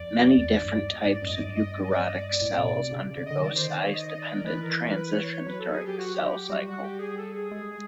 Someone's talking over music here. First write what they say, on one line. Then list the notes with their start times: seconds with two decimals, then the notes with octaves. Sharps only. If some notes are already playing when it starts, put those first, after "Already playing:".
Many different types of eukaryotic cells undergo size-dependent transitions during the cell cycle.
Already playing: F2 D5
0.38 E2
0.62 G2
0.89 D#5
1.01 D5
1.06 G#2
1.15 D5
1.22 F#2 D#5
1.35 D#5
1.39 G2 D5
1.56 D#5
1.74 D5
1.84 D#5
1.90 D5
2.03 D#5
2.16 D5
2.29 D5
2.42 A2
2.58 B2
2.75 C3
2.92 C#3
3.09 D5
3.18 C#3
3.26 D3 D#5
3.43 D#3 D5
3.56 C5
3.69 D5
3.81 C#5
3.94 D#5
4.08 D#5
4.20 D5
4.36 A#4
4.45 E3 B4
4.62 A#4
4.80 B4
4.96 B4
5.13 C#5
5.30 C#5
5.47 F#3 B4
5.59 A4
5.72 G#4
5.85 G4
5.98 F#4
6.15 G4
6.32 G4
6.49 G3 F#4
6.66 F#4
6.83 G4
6.99 G#4
7.17 A4
7.33 G#4
7.52 G#3